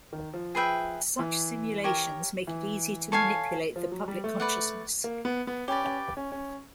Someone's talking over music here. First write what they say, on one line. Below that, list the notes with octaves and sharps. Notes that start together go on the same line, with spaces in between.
Such simulations make it easy to manipulate the public consciousness.
D#3
F3
G#4 B4 E5 G5
E3
G4 A#4 C#5
E3
A4 C#5 F5 G#5
F3
F#3
G3
A3
B4 D5 F#5
A#3
B3
B3
C#4 G4 B4 D5
C#4
C#4
C#4